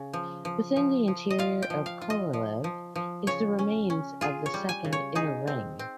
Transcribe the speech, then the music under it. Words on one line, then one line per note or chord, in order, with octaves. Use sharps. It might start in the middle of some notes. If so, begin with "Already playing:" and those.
Within the interior of Korolev is the remains of a second, inner ring.
Already playing: C#3
F3
F3
F3
F3
D#5
F4 F5
G5
F3
F5
F4
D#5
F3
F3
F3
C#3 C#5
C#4
C#4
F4 G#4
C#5
G3
G#5
C#3
C#5
D#4 G#4
C4
C4